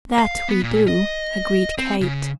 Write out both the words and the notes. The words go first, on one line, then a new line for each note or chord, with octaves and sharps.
"That we do!" agreed Kate.
F5
B3
A#2
D#5
C4
C#3